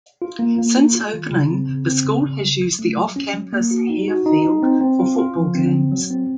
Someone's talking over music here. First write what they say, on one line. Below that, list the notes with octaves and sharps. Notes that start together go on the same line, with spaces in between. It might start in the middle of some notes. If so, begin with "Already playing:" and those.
Since opening, the school has used the off-campus Hare Field for football games.
F4
A#3
A#3
F4
F4
D#3
C#3
C4
C#3
C4
C#3
C#3
C#3
F#3
A3
F#3
C#4
F#3
A#3
F#4
D#4
F#4
D#4
D#4
C4
C4
F4
F4
F3
C4
F#3
F#3
C4